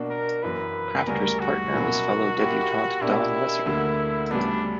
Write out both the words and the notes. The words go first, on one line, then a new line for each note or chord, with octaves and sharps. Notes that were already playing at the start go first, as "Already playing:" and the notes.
Crafter's partner was fellow debutant Don Weser.
Already playing: B2 A#3 D4 F#4
A#4
F#2 E3 A#3 B4
D2 C#3 G3 C#4 A#4
F#4
B2 F#3 A#3 C#4 E4
A#2 A#3 E4 G4
B2 A#3 D4 E4 G4
D2 D3 A#3
D2 C#3 G3 B3 D4